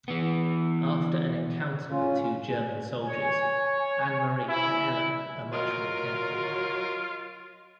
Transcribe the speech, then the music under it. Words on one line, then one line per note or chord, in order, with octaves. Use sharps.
After an encounter with two German soldiers, Annemarie and Ellen are much more careful.
E3 B3
C#4 F4
G#5
C#5
E4
F#3 F4 A#4 D#5